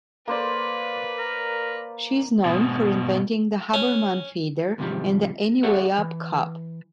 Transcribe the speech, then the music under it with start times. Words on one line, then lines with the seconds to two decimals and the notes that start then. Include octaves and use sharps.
She is known for inventing the Haberman Feeder and the Anywayup Cup.
0.28 A#3 B4 C5 D5
1.18 A#4
2.45 G#2 B2
3.74 C#4
4.78 E2 G#2 C3 D#3 F3 G3
5.63 G4 G#4 C#5 E5 F#5
5.98 E3